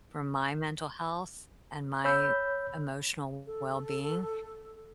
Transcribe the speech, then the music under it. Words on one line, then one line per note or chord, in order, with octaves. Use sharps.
for my mental health and my emotional wellbeing,
C#5 B5 E6 G6
A4